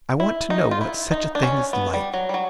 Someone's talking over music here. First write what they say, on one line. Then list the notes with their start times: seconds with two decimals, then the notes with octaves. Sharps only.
I want to know what such a thing is like.'
0.20 E4
0.50 D#4
0.71 F4
0.81 E4
1.11 D#4
1.35 D4
1.43 C#4
1.73 B3
1.94 G3
2.14 F#3
2.29 G3
2.34 F#3